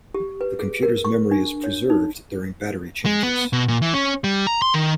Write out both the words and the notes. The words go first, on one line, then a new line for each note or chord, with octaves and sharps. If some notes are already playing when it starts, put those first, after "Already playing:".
The computer's memory is preserved during battery changes.
G4
B4
G#4
A#4
C#6
D4
C#5
D#4
G#3
B3
B2
A#2
E3
C#4
G3
A#5
C6
D#3